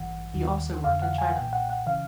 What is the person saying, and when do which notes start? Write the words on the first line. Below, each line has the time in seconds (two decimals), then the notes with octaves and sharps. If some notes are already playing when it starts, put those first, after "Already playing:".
He also worked in China.
Already playing: A1 G2 E3 F#5
0.33 D#2 D#3
0.84 F2 D3 F5
1.02 F#5
1.18 G#5
1.36 B1 A#2 G5
1.53 F#5
1.70 F#5
1.86 C#3 E3 F5